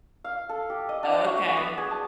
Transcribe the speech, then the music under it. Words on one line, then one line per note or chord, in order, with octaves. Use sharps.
Oh, okay.
F5
A4
G4
D#5
D4
F#4
B3
G#4
A5